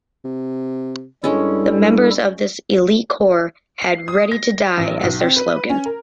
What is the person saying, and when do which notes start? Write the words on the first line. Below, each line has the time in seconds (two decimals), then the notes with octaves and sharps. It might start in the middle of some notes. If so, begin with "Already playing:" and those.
The members of this elite corps had "Ready to Die" as their slogan.
0.25 C3
1.24 G2 G3 G#3 C#4 E4 A4
3.81 C7
4.08 D#6
4.32 A#6
4.78 A1
5.03 B1
5.20 C4
5.36 B4
5.70 C#4
5.86 A#4